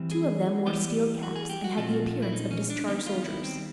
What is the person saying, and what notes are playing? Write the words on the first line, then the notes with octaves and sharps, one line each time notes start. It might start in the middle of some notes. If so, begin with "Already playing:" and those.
Two of them wore steel caps, and had the appearance of discharged soldiers.
Already playing: E3 G3 C4
G#4
E3 G3 B3 G4
F#4
G#4
G4
F#4
A#2 F3 A3 C4 F4
E4
D#4
C#4
D4
D#3 G3 B3 D#4
F4
E4
C4